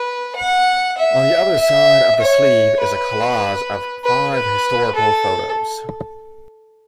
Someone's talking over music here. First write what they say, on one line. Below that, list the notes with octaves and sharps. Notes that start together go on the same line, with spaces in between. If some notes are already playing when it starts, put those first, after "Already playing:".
On the other side of the sleeve is a collage of five historical photos.
Already playing: B4
F#5
E5
E5
C#5
B4
B4
B4
A4